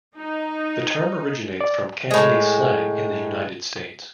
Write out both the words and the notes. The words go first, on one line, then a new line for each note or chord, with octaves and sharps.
The term originates from Cantonese slang in the United States.
D#4
D5
A2 G#3